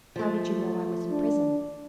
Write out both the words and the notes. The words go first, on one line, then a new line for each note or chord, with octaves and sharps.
"How did you know I was in prison?"
F3 A3
D4